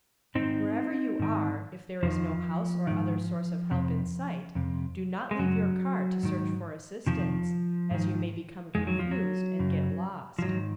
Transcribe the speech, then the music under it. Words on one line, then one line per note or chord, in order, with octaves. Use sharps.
Wherever you are, if there is no house or other source of help in sight, do not leave your car to search for assistance, as you may become confused and get lost.
G#2 D#3 C4 D#4
G#2 D#3
F2 C3 D#3 F3
G#2 D#3
F2 C3
F2 C3
G#3
F#2 C#3 F#3
G#2 D#3
F2 C3 D#3 F3
G#2 D#3
F2 D#3 G#3
F#3
F3
F#3
F#2 C#3
F3
G#2 D#3 F#3